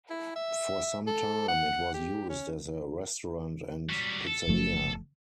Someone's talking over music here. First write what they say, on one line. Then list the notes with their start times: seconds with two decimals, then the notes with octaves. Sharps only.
For some time, it was used as a restaurant and pizzeria.
0.10 E4
0.36 E5
1.07 A4
1.48 F#5
1.94 G4
2.29 C#4
3.90 F#3 G3
4.27 A4
4.47 F#1 F3 A3